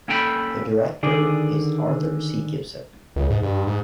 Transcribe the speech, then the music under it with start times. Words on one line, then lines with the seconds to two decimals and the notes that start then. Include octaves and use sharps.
The director is Arthur C. Gibson.
0.08 A#3 C#4 A4 G5 A5 B5
1.03 D3 D#3 G#4 D5
3.16 C#2
3.30 G#2
3.43 G2
3.67 G#2